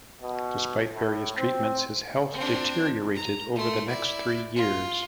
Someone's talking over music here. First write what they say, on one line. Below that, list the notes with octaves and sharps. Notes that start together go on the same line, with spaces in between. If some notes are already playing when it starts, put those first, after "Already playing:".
Despite various treatments, his health deteriorated over the next three years.
B2
A2
C4
C4 D4
A#5
A3 C6
E4 D5
F4